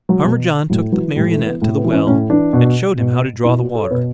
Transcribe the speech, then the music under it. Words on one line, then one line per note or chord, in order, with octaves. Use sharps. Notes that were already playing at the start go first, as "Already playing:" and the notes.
Farmer John took the Marionette to the well and showed him how to draw the water.
F#3
B2
A2 F#3
E3 F#3
A2 G3
A3
E3
B3
A2 A3
B3
E3
C#4
A2 C#4
E3 D4
B2
B2
B2 E4
F#4
A4
C#5
B2 B4